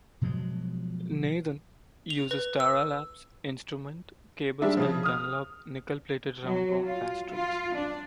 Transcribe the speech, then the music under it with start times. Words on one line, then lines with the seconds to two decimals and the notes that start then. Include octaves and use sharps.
Nathan uses Tara Labs instrument cables and Dunlop nickel-plated roundwound bass strings.
0.21 B2 F3 F#3 G#3
2.10 F7
2.31 B4
2.60 E6
4.62 G3 G#3 D4 E5
4.77 C#3 F3
5.03 D#6 F6
6.44 F#3
6.85 F4
7.31 F4
7.75 D4